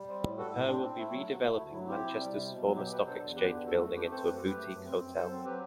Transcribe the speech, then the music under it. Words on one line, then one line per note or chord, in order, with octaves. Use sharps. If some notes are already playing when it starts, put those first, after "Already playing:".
The pair will be redeveloping Manchester's former stock exchange building into a boutique hotel.
Already playing: G3
C4
A2
G3 F#4 A4
A2
C4 D4
C4
A3 E4
F#3
F#3
A3
D2 E4
F#3 E4
C4 E4 G4
C3
G3
C3
B2
F#3
B2 E4 G4
F#3 G4 B4
D3 A4 C5
E2
D3 G4 B4
E2
F#2 F#4 A4
A3
A3 G4 B4
C4 A4 C5
F#2 G4 B4
F#4 A4
F#2
G4 B4
A3
F#2
C4
F#2
F#2 A4 C5
C4
F#3 G4 B4